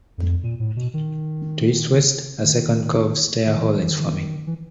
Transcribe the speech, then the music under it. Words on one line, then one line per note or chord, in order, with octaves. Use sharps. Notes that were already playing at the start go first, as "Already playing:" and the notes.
To its west, a second cove, Stair Hole, is forming.
F2
A#2
A2
B2
D#3
D#3
D#3
E3
D#3
E3
D#3
E3
D#3
E3